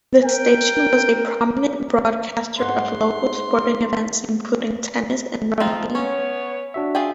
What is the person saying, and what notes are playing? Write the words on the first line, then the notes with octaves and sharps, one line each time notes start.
The station was a prominent broadcaster of local sporting events including Tennis and Rugby.
A#4 G5
G#2 F#5 C6
F3 C4 D#4 F4
B3 C#4 C#5
D4 F#4 E5
F4 G#4 G5